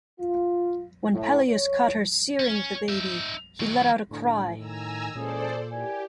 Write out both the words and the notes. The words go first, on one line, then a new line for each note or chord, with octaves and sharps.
When Peleus caught her searing the baby, he let out a cry.
F4
A2
C#5
C#4
D#4 E5
D#3 F#3
A2 D3 D4
D#3 G#5 A#5 E6
A#2 E3 G#3 C#4 G#4 A4 C5 D5
E4 G4 A#4 D5 G#5